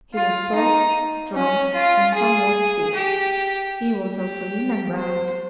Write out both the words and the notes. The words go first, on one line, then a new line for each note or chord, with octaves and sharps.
He was tall, strong and somewhat stiff; he was also lean and brown.
F4
D#4
C#4
F4
G#4
G4
G4
C5